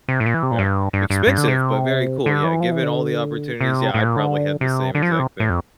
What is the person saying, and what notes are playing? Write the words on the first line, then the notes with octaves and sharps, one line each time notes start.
Yeah. Expensive, but very cool. Yeah, given all the opportunities, yeah, I'd probably had the same exact thing.
C3
A2
A#2
E3
C3
A#2
G2
G2
G2
G2
D3
C3
D3
E3
F3
E3
D3
C3
A2
A#2
D3
C3
D3
F3
E3
C3
A2
F2